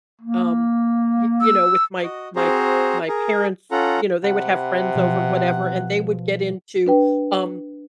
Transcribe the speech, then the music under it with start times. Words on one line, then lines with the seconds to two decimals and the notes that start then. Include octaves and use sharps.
um, y you know, with my my my parents, you know, they would have friends over, whatever, and they would get into, um,
0.21 A#3
1.41 E6
2.03 F#4 D#5
2.36 C4 F#4 G#4 C5 A#5
3.08 G#4 A#4
3.71 C#4 F4 A4 F#5 A#5
4.24 C3 F#5 B5
4.94 B2 F3
6.87 D4 B4 G5